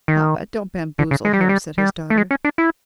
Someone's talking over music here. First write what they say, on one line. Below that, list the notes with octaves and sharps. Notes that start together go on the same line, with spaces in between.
"Papa, don't bamboozle her," said his daughter.
D#3
D3
C#3
G#3
G3
F#3
G3
G3
A3
G#3
C#4
D4
E4